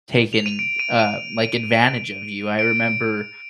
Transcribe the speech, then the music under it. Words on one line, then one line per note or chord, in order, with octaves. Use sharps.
taking, uh, like, advantage of you. I remember
F7
D#7
D7
D#7
D#7
D7